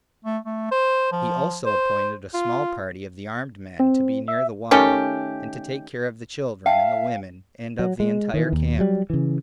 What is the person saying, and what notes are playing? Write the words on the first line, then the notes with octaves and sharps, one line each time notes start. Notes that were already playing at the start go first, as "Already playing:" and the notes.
He also appointed a small party of the armed men to be near the water, and to take care of the children, and the women, and of the entire camp.
A3
A3
C5
F3
C5
F4
C4
E5
D#3 A3 C#4 G4
E5 F5 G5 A5
F#3
G#3
D#3 E3
D#2
F#3 G3
C#3 E3